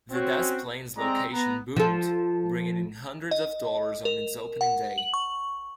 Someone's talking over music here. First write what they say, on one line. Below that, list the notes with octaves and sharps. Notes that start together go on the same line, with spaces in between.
The Des Plaines location boomed, bringing in hundreds of dollars on its opening day.
C4 C#4 F#4
G#3 C4 D5 A#5
B3 A#5
F3 A4
D#5
A#4
F#5
F#7
C#6